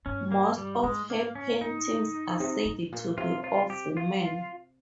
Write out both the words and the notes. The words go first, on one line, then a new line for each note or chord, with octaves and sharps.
Most of her paintings are said to be of women.
G2 C#4
A#3
G3
G#2 G#3
A#3
C#4
D#4
C3
G#2
A#2
C3 F4
F4
G4
F4